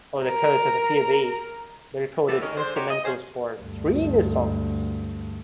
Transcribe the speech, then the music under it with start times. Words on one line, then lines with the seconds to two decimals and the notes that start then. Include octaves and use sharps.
Over the course of a few weeks, they recorded instrumentals for three new songs.
0.24 A#4 A#5
2.28 E3 A3 B3 G4 A4
2.42 D#3 C#4
2.57 D3 G#3 C5
2.75 D#4 F#4 G4 C5 C#5
2.90 D#5
3.04 F#3 C#4 G#4 C5
3.62 D2 G2